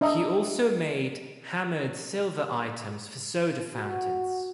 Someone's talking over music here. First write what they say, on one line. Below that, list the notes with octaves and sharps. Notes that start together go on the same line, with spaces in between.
He also made hammered silver items for soda fountains.
D4 D#5 E5 A#5
F#4